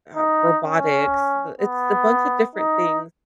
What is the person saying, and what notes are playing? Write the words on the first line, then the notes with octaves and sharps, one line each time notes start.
uh, robotics. Th It's a bunch of different things,
D#4
C#4
B3
D#4